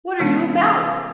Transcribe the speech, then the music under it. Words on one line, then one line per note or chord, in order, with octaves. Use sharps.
What are you about?'
C3 E3 G#3 B3 C#4